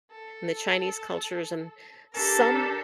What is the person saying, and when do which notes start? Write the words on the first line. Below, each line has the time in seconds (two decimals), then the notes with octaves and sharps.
and the Chinese cultures and some,
0.12 A4
2.12 D4 G4 A4 A#4